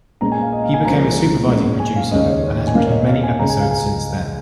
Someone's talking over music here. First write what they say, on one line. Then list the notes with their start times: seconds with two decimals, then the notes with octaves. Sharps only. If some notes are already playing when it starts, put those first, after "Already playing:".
He became a supervising producer, and has written many episodes since then.
0.21 A#2 G#3 C#4 A#5
0.32 G#5
0.42 F5
0.53 D#5
0.64 F5
0.74 G#5
0.85 C#2 C#3 F3 A#3 C#4 A#5
1.49 A#2 G#3 C#4
1.80 G#5
1.96 F5
2.11 D#2 C#3 G#3 C#4 D#5
2.28 C#5
2.44 C#5
2.67 G#5
2.75 A#2 A#3 C#4 F5
2.87 C#5
2.91 D#5
3.07 F5
3.23 G#5
3.39 C#2 C#3 G#3 A#5
3.49 G#5
3.60 F5
3.71 G#5